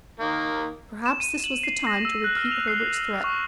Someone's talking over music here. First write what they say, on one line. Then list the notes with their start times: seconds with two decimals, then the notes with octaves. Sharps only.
Perhaps this was the time to repeat Herbert's threat.
0.20 D#3 A#3
1.06 E7
1.20 D#7
1.44 F#7
1.63 C7
1.87 A#6
2.05 E6
2.24 F#6
2.37 F6
2.51 F7
2.68 C7
2.96 F#7
3.24 C#6